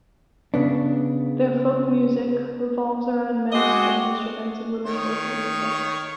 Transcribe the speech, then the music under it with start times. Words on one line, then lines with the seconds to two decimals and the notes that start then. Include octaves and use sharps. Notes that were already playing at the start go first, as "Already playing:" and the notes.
Their folk music revolves around men's string instruments and women's vocal music.
0.54 C#3 B3 D4
3.52 G#3 C4 F#4 D#5 D6
4.86 D#3 C#5